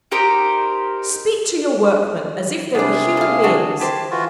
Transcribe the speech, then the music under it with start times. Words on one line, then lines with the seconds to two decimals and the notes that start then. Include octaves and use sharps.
Speak to your workmen as if they were human beings.
0.11 D#4 G4 A#4 C5
2.75 C3 B3 D4 G#4
3.17 A4 F5
3.44 D4 F#4
3.80 E4 G4 C5 A5
4.11 E3 F4 F#4